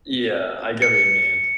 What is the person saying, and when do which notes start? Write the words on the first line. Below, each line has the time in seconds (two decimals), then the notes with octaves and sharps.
Yeah, I get what you mean.
0.82 C#7